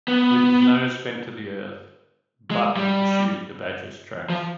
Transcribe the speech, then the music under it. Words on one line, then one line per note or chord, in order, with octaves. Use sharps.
With his nose bent to the earth, Button pursued the badger's tracks.
B3
G#3
G3
F3